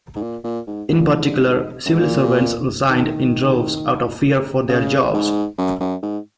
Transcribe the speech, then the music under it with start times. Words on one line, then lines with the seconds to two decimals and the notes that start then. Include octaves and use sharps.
In particular, civil servants resigned in droves out of fear for their jobs.
0.16 G#2
0.22 A#2
0.44 A#2
0.67 G#2
0.89 G#2
1.01 A#2
1.11 G#2
1.85 F#2
1.93 G#2
2.01 A#2
2.90 D#3
4.69 C#3
5.14 G#2
5.58 F#2
5.80 F#2
6.02 G#2